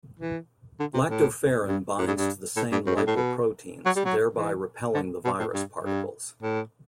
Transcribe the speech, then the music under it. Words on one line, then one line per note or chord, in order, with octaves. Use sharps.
Lactoferrin binds to the same lipoproteins thereby repelling the virus particles.
E3
D3
C3
A2
G2
F#2
G2
G2
A2
G2
F#2
G2
A2
B2
F#3
G3
F#3
E3
D3
B2
A2
G2
G2
A2